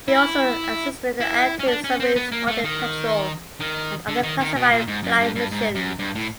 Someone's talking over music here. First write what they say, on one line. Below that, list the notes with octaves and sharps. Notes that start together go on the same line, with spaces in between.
He also assisted in anti submarine spotting patrol and other classified flight missions.
E4
E4
C#4
D4
C#4
C4
B3
A#3
A3
D#3
D#3
D3
D#3
D#3
B2
A#2
G#2
F#2
G2
G2
G#2
F#2
G2
A2